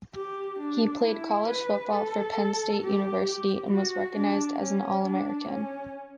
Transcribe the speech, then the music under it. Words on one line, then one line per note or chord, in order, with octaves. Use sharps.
He played college football for Penn State University, and was recognized as an All-American.
G4
D4
E4
B4
A4
G4
G4
F#4
D4
C#4
D4
C#4